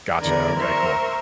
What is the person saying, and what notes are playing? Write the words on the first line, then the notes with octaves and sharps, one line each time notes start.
Gotcha, okay, cool.
E2 D3 A#4 D5 G#6
A#4 C5 E5 C6 C#6 E6